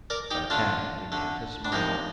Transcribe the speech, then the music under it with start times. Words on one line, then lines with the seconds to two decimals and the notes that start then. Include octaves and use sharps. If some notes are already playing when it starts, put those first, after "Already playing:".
D'Artagnan began to smile.
0.10 A#4 D5
0.31 D#4 G4
0.50 D3 A3 D4 F4
1.12 D3 A3
1.65 D4
1.72 C3 F3 A#3 D#4